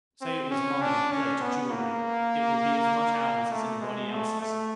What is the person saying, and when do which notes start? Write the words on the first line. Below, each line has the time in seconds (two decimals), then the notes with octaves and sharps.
Say it was money, or plate, or jewellery, it would be as much ours as anybody else's.'
0.21 C4
0.50 C#4
0.81 D4
1.11 C#4
1.41 B3
1.71 A#3
3.52 A3
3.81 G#3
4.12 A3
4.41 A3